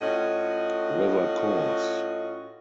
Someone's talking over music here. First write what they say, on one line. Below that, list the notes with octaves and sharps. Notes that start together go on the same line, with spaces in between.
River Course!
A2 C#4 F4 F#4 D#5